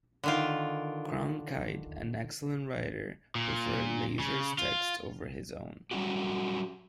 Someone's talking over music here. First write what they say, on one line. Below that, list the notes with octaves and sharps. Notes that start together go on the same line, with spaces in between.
Cronkite, an excellent writer, preferred Leiser's text over his own.
D3 D#3 F4
A#2
C#3
F4
F#3 G3 C#4 D#4 F#4 G4